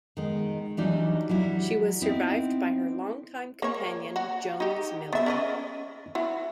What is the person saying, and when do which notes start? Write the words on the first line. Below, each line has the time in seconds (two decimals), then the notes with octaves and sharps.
She was survived by her longtime companion, Jones Miller.
0.17 D#3 G#3 B3
0.77 E3 F#3 G3 D4 D#4
1.29 F#3 G3 E4
2.02 B3 C4 D#4 E4
3.62 A#3 C#5
4.16 F#4
4.60 D#4 G4
5.13 B3 E5
5.26 C#4 D5 D#5
6.15 E4 F#4